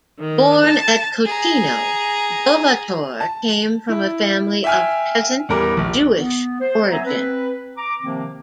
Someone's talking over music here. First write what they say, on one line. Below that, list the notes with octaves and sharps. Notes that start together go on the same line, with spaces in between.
Born at Khotino, Dovator came from a family of peasant Jewish origin.
D#3
A5
G#4 A#5
A5
E4
E5 G5 G#5 F6
E2 G3 A#4 D6
A#1
B3
C5
F#3 A3 B3 E5 G#5 A#5
C4 B4
A#5 D6
C3 D#3 F3 A#3 C4